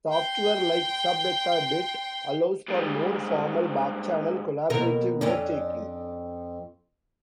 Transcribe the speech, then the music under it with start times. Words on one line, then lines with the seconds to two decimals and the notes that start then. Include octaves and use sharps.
Software like SubEthaEdit allows for more formal backchannel: collaborative notetaking.
0.11 G5 C6
2.68 G#2 G3
4.70 D#2 B2 A#4
5.21 F2 C#4 D4